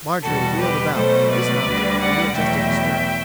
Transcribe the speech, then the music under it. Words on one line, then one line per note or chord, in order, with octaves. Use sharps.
Marjorie wheeled about, dismounted, and readjusted the stirrups.
E2 B2 G3 F#4 A4
G4 B4
B2 F#3 A3 A4 C5
B4 D5
D2 D3 G3
D5 F#5
E2 B2 F#3 A3 E5 G5